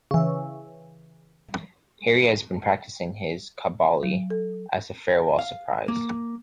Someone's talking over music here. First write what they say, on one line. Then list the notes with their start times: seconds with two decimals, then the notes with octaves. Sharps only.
Harry has been practicing his Kobali as a farewell surprise.
0.11 C#3 E3
4.03 F#3
4.30 A4
5.39 F5
5.88 A#3